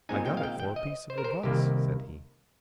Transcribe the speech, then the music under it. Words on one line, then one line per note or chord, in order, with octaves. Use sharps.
"I got it for a piece of advice," said he.
A#2 G#3 C4 D#4 G#5
G5
F5
G5
G5
D#5
C5
A#4
C5
C2 C3 D#3 A#3 G4